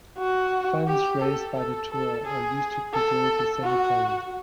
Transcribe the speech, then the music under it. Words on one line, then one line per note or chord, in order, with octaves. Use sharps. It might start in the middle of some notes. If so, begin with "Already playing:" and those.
Funds raised by the tour are used to preserve the cemetery.
F#4
G4
A4
A4
A4
G#4
A4
F#4